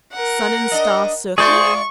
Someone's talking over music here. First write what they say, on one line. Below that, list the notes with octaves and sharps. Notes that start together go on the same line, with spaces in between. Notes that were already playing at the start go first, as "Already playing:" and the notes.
Sun-and-star circling.
A#4 F#5
D4 D#5
G#3 F4 G#4 C5 D5 C#6